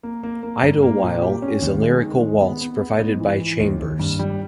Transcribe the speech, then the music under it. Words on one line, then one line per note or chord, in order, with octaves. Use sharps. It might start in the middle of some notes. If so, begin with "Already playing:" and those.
"Idle While" is a lyrical waltz provided by Chambers.
A#3
A#3
A#3
G2
A#3
A#2
G4
C#4
D#2
G#3
D#3
G#3
B3
B3
B3
G#2
E3
E3
D#2
D#2
G2
G3